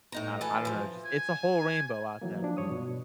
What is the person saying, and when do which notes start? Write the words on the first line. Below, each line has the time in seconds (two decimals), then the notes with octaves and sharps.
I do I don't know. It's just it's a whole rainbow out there,
0.12 A2 D#4 A#5
0.41 E3 A4 B4 A5
0.65 E3 F3
1.06 G#5
2.21 E3 F#3 A#3
2.42 F3 D4
2.57 G2 C#5 D#6
2.70 B2